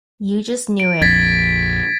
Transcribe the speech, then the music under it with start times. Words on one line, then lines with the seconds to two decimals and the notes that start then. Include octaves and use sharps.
You just knew it.
0.80 D7
1.02 A#1 F2 G#6 A6 B6